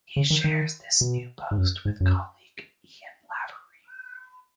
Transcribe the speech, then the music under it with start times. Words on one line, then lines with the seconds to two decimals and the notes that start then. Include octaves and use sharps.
He shares this new post with colleague Ian Lavery.
0.16 C#3
0.30 D#3
0.44 D#3
1.01 B2
1.51 G#2
1.58 F#2
1.85 G#2
2.00 F#2